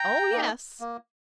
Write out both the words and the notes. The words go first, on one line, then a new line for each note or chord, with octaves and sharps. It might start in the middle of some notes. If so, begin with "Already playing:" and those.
"Oh, yes."
Already playing: G5 A#5
A#3 D#4
A#3